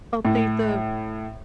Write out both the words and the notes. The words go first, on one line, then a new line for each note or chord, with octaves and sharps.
update the
A2